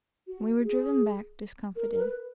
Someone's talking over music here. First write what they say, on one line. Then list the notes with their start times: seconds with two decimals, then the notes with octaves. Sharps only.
We were driven back discomforted.
0.27 F#4
0.60 F#4
0.64 G#4
1.76 A#4
1.92 A#4
2.00 B4